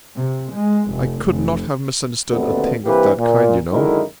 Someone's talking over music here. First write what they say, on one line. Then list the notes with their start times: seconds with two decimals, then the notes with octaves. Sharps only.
I could not have misunderstood a thing of that kind, you know!
0.16 C3
0.54 G#3
0.92 F1
1.26 F1
2.30 D#2 B2 D3 A3 B3 C4
2.85 G2 E3 A#3 C4 G4 B4
3.18 A#2
3.73 F#2 D3 D#3 G#3 E4 A#4